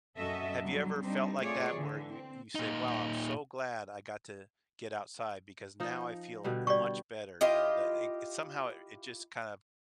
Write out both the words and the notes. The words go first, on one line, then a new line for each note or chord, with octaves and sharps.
have you ever felt like that where you you say, "Wow, I'm so glad I got to get outside because now I feel much better," you know? That it somehow it just kind of,
F#2 C#4 F#4 A4 D#5 E5
B2 D3 F#3 G3
G3 C4 D4 D#4
A3 F4 G#4 C#5 D5
D3 E3
C4
A#2 D#4
F3 D#4
B2 D3 G3
G3 D5 C#6
E4 F4 G4 D#5